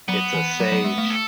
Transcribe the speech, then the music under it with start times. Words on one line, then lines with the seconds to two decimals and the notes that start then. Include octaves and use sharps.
It's a sage.
0.08 F#3 B3
0.34 E3
0.60 F#3
0.72 F#3
0.84 G#3
0.98 A3
1.10 A4